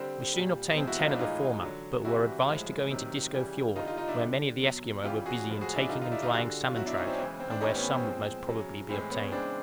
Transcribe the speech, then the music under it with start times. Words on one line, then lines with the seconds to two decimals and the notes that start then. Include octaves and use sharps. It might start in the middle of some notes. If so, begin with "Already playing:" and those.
We soon obtained ten of the former, but were advised to go into Disco Fiord, where many of the Esquimaux were busy in taking and drying salmon-trout, and where some would most probably be obtained.
Already playing: D3 G3 C4
0.34 A#2 G3
0.72 B3
0.77 C3 F3 G#3 C4
0.87 E4 F#4
0.99 D#4 F4
1.09 D4 E4
1.19 A2 E3 G#3 D#4 F4
1.62 D3 F#3
2.05 C3 E3 G3 E4 F#4
2.48 A2 F3 G#3
2.90 C3 D#3 F#3
3.33 C#3 E3 G3
3.76 D3 G3 D#4 F4
3.86 D#4 F4
3.97 D#4 F4
4.08 D4 E4
4.18 D3 G3
4.62 B2 F#3
5.04 C#3 E3 G3 F4 G4
5.26 F#4 G#4
5.47 A2 F3 G#3
5.61 F#4 G#4
5.75 D4 E4
5.90 D3 D#4 F4
5.95 G3
6.01 D#4 F4
6.11 D4 E4
6.22 D#4 F4
6.32 G3 F#4 G#4
6.36 D3
6.65 F4
6.76 B2 F#3 E4 F#4
6.86 D4 E4
6.97 C#4 D#4
7.07 C4 D4
7.13 C#4
7.18 C#3 E3 G#3 C4
7.40 C4
7.50 C4 D4
7.61 A2 E3 G3 C#4 D#4
7.69 C4
7.75 B3 C#4
7.89 C4
8.04 A#2 F3 G#3
8.47 C#3 F#3
8.89 A2 E3 G#3 C4
9.10 B3 C#4
9.32 C#3 E3 G#3 C4 D4